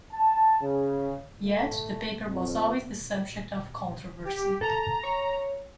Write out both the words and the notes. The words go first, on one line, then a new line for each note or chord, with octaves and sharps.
Yet, the paper was always the subject of controversy.
A5
C#3
A3
F2
G4
A4 A#5
C#5